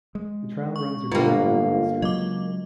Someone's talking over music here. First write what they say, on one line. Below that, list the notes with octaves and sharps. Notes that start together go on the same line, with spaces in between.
The Trial Runs are being done on this stretch.
G#3
C#6
G1 A#3 B3 D4 F4
C#3 F#3 G#3 D#5 D6